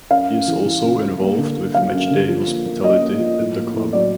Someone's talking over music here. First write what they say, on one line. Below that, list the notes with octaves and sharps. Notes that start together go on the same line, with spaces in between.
He is also involved with matchday hospitality at the club.
F#2 F5
F#2
E3
E3
C#3
C#3
A#3
D3
A#3
F#3 F5
F#2
D3
F3
A#3
A#3
C#4 D#5
A#3
F3
A2
A#3
A2
F#3 D5